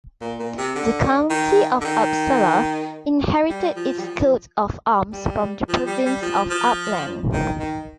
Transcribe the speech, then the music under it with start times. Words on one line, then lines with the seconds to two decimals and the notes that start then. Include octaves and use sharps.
The County of Uppsala inherited its coat of arms from the province of Uppland.
0.21 A#2
0.39 A#2
0.58 C3
0.75 D3
1.30 D#3
1.81 D3
1.85 D#3
3.49 G3
3.76 F3
3.99 G3
4.04 F3
5.13 G3
5.68 F3
5.86 G3
6.05 G3
6.22 F3
6.50 F3
7.32 D#3
7.59 D#3